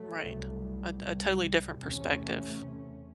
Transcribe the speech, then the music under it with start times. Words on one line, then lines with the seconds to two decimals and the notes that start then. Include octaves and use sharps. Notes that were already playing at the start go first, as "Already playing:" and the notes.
Right. A a totally different perspective.
Already playing: F#3 A3
0.21 C2 C3
1.00 C2 C3
1.79 E2 C3 A3 C#4